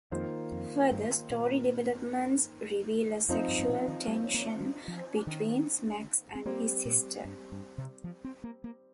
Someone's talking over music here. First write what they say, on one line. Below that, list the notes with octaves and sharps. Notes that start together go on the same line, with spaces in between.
Further story developments reveal a sexual tension between Smax and his sister.
F2 D#3 A#3 F4 C5
F2
G2
A#2
F2 F3 C4 D#4 C5
G2
G2
A#2
D#3
G3
A#3
G3
F3
D#3
C4
G3 A#3 C4 G4 C5
A#2
G2
G2
C3
F3
C4
A#3
A#3